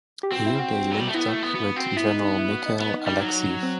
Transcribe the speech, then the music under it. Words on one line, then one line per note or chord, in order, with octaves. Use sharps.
Here they linked up with General Mikhail Alekseev.
G4
C4 F#4
E4
F#4
F#3
G3
A3
B3 E4
A3
B3
B3 F#4
C4 F#4
B3 E4
D#4
D#4
E4
F#4
D#4
B3 E4
D#4
G3
F#3
C4